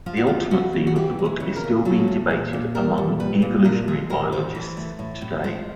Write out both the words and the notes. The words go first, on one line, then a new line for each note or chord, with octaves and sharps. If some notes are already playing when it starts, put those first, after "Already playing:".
The ultimate theme of the book is still being debated among evolutionary biologists today.
F3 F4
F#4
G#3 F4
C#3 F#4
C#3
F#4
E3 G4
G#3
G#4
C#3
A#4
C#3
F#3 A4
A3
A#2
A#2
G3 A#4
A#2
G3 B4
A#2
F3 A#4
G#3 G#4
A2 A#4
A2 C5
E3
A3
A2
A2
G#3 C5